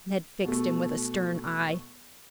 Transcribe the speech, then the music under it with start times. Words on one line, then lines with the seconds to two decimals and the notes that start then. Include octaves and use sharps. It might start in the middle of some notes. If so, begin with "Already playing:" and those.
Ned fixed him with a stern eye.
0.44 B2 A3